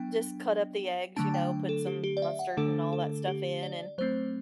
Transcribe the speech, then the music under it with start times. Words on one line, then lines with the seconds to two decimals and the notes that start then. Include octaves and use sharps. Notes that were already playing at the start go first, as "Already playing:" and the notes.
Just cut up the eggs, you know, put some mustard and all that stuff in, and
Already playing: F#3 B3 D4 G5
1.16 D3 F#3 A3 D4 A5
1.34 G5
1.69 A4
1.87 G4
2.04 G4
2.17 D5
2.22 E5
2.39 F#5
2.57 D3 A3 D4 A4
2.93 A4
3.28 G4
3.63 D5
3.98 F#3 A3 C4 C5